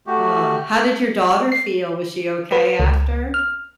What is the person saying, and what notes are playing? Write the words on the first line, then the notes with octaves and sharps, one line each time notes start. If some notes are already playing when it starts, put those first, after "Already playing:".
Ugh. How did your daughter feel? Was she okay after?
A3 F#4 G4
C7
B4
C#2
F6